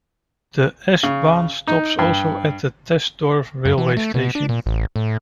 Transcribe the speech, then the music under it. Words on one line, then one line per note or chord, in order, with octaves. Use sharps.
The S-Bahn stops also at the Thesdorf railway station.
C#3
D#4
G2
F#2
E3
A3
B2
D4
A#2
A1
A2